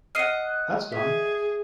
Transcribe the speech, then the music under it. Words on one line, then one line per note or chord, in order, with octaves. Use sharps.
That’s done.
D#5 F#5 F6 C7 D#7
G#4 E5